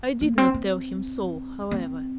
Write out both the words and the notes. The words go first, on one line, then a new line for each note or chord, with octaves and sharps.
I did not tell him so however.
A#3
C4
C4
C4